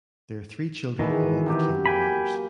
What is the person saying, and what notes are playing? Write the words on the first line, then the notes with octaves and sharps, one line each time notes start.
Their three children all became lawyers.
B2 D#3 E3 G#4 B4
C3 F#3 G4
A#3 G5 G#5 B5